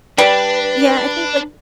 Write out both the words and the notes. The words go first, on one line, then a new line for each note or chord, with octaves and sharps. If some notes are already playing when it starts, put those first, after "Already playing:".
Yeah, I think, like,
G3 D4 B4